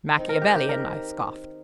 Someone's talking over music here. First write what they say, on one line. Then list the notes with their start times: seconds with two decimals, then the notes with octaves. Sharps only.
"Machiavellian!" I scoffed.
0.16 D#3 C4 D#4
0.29 A#4
0.42 G4
0.55 G4
0.69 A#4